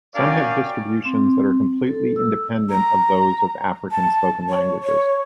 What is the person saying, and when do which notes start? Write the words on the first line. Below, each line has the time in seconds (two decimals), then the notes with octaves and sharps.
Some have distributions that are completely independent of those of African spoken languages.
0.15 C#4 F#4 A#4 D5 F5 G5
1.05 C4
1.87 A4
2.16 E6
2.70 A#5
3.91 A5
4.49 C#5
4.83 C#5